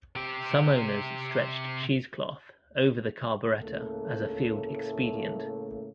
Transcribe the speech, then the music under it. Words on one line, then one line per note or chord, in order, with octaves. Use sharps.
Some owners stretched cheesecloth over the carburettor as a field-expedient.
C3 G4
A2 C#3 A3 A#3 A4